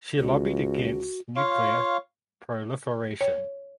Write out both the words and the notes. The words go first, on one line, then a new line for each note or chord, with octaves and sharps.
She lobbied against nuclear proliferation.
C#2 F#4
F4 C#5 F5
C#5